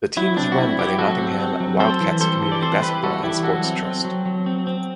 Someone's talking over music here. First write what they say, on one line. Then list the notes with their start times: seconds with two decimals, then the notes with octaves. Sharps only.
The team is run by the Nottingham Wildcats Community Basketball and Sports Trust.
0.17 F#3 E4
0.37 C4 D4
0.52 F#4
0.58 C4 E4
0.79 F#3 E4 G4
0.98 F#3 F#4 A4
1.19 C4
1.40 C4
1.60 F#3
1.80 C4 A4 C5
2.01 E3
2.21 G3 A4 C5
2.42 E3
2.52 D5
2.62 C4 A4 C5
2.82 E3 G4 B4
3.03 G3 F#4 A4
3.23 E3 E4 G4
3.43 F#3 F#4 A4
3.64 C4
3.85 C4
4.05 F#3
4.26 F#3
4.46 C4
4.67 C4